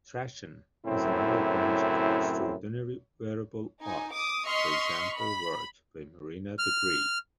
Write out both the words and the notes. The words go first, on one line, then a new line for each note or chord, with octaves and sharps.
Trashion is another branch of extraordinary wearable art, for example, work by Marina DeBris.
F#2 A2 C#3 C4 E4
D#4 G#5
D6 D#6
D#5 C6 C#6 F6 B6
B5
F6